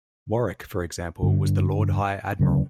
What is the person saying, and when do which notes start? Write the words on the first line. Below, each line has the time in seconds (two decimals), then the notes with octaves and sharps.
Warwick,for example, was the Lord High Admiral.
1.23 G2 D3
2.39 D2 C#3 F#3 C#4